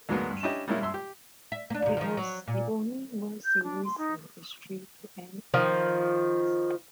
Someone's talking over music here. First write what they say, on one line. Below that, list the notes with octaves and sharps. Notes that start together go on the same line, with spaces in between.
It was the only World Series in history to end on a bunt.
D2 G#2 F#3 G#3 A#3 B3
G2
C#4 D4 E4 G4 D#5
G3 G#3 A#3 C#4 E4
G2 E5 C6 E6
G4
E5
A#3 D4
D#2 C3
D#3 F3
F#3
A#2
G6
D4
C6
D#4
D#3 F3